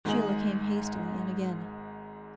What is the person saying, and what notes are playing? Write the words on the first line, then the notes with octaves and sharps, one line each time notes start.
Sheila came hastily in again.
G#1 G#2 G#3 G#4 F#7